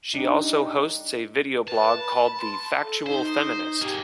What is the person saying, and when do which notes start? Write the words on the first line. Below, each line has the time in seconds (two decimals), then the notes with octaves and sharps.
She also hosts a video blog called "The Factual Feminist".
0.14 G3 D4 D#4
1.68 B4 A5
1.99 B5
2.38 C6
2.83 A4
3.06 D#4 C5
3.82 G#3 A#3 G4